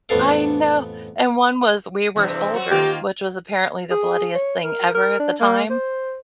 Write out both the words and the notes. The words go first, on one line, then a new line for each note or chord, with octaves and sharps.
I know, and one was We Were Soldiers, which was apparently the bloodiest thing ever at the time,
A1 F2 B3 A4 F5
E2 G2 C3
F#3 F#4
D#3 A#3 F4 G4
G#4
C#5
A#4
A#4
D4
A#3
C5